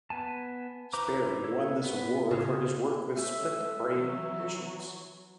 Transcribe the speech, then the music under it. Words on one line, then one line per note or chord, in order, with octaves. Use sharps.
Sperry won this award for his work with "split-brain" patients.
B3 G#5 A5
E4 B4 C5 A#5 D6
E4 A4 C#5
B3
C#3
G#3 A3 C#4 E5
E3 F#3